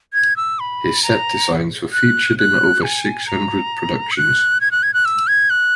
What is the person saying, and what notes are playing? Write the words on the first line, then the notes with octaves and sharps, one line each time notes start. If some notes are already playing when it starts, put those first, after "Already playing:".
His set designs were featured in over six hundred productions.
G#6
E6
B5
A#5
F#6
F#6
G#5
A#5
E6
F#6
G#6
F#6
G#6
F#6
E6
G#6
F#6